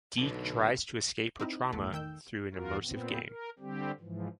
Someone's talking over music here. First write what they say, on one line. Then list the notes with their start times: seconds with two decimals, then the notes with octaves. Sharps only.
Dee tries to escape her trauma through an immersive game.
0.19 B1 B2 D3
1.40 C4 D#4 E4
1.73 G#1 E2 A2 A3
1.93 D#3 G5 E6 G6
2.54 E2 F4 F#4 A#4
2.84 A#2 B3 C4
3.28 A#4
3.59 D3 G3 C4 G4
4.00 G#2 E3 F3